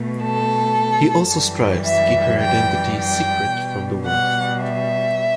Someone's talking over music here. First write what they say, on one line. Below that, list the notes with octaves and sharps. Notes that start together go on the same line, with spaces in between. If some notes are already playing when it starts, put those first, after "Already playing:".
He also strives to keep her identity secret from the world.
Already playing: B2 A3
A4
F#2 E3 G3
E5
G5
G5
B2 G3
F#5
E5